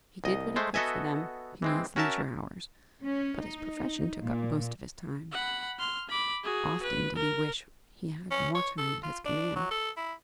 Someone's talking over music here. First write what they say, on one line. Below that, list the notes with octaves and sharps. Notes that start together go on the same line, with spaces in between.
He did what he could for them in his leisure hours, but his profession took up most of his time: often did he wish he had more time at his command.
C2 D#5
G#3 A3 C5
B3 F#4 A4 D#5 E5 G#5
E3 G#3 C4
C#4 F#4 A#4 E5 A5
C#4
D#4
A#2
F#5 B5
C6 F6
B5 D6
F#4 G#4
B4
A#4
C#4
C#5
A4
F4
D4
F#3
A4
E4